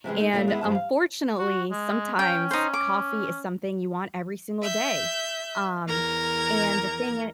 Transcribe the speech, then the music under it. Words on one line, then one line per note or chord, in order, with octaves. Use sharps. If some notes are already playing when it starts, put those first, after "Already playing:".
and, unfortunately, sometimes coffee is something you want every single day, um, and the thing it
C3 E3 G3 G#3
A3 D#4
A#2 C#3 E3 G3 A3 A#3
G#3 B3 E4
G2 F3 A5
F5
F#4
G#3
C#4 G5
D#4 C5
D6
E5 G6
E2 A#4 A#5 G#6